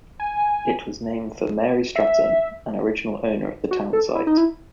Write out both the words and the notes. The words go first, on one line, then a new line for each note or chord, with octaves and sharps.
It was named for Mary Stratton, an original owner of the town site.
G#5
E5
F#4
A4
E4
D#4
E4